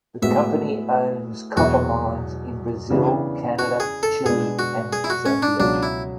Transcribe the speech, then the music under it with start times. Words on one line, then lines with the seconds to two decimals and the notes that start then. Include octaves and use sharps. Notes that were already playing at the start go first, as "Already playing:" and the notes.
The company owns copper mines in Brazil, Canada, Chile, and Zambia.
0.22 A2 G#3 B3 F#4 E5
1.56 E2 B2 F#3 F#4
2.90 C#3 E3 B3 D4
3.59 F#4
3.80 G#4
4.03 A4
4.25 B2 G#3 B3 D4 G#4
4.59 F#4
4.93 G#4
5.04 E4
5.10 F#4
5.26 C#4
5.42 D4
5.60 C#2 B2 F#3 D4
5.83 E4